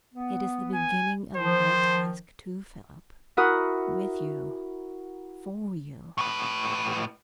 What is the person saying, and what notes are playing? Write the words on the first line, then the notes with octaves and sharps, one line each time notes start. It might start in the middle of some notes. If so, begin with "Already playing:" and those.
It is the beginning of my task, too, Philip, with you--for you.
B3
G#5
D#3 F3 C5
E4 F#4 A#4 F#5 D#6
A2 B4